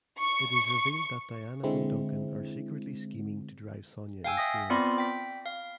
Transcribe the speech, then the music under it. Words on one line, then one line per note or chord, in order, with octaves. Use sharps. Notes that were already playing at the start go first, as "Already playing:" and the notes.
It is revealed that Diana and Duncan are secretly scheming to drive Sonia insane.
C#6
D3 G#3 C4 E4
F5 G5 G#5 E6
E5 D#6 A#6
B3 C4 F4 D5 B5 C6
G5 B6
F5